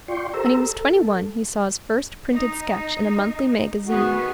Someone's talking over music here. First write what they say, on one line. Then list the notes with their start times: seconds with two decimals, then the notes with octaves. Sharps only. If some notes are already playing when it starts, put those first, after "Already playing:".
When he was twenty-one he saw his first printed sketch in a monthly magazine.
0.08 F4 D5 G5 C6 C#6
0.34 G4 A4 A#4 C5 A#5 E6
0.66 A4
2.30 D#4
3.88 D#3 B3 F#4 G#4